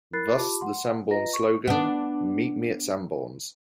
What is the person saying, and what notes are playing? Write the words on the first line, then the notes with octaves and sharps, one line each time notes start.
Thus the Sanborns slogan "Meet me at Sanborns".
E4 A#4 B5 F#6 A6 C7
F4 G4 A5 B5 D6
F#5 C6
F4 B4 D#5 A#5 A#6
C#6
B3 D4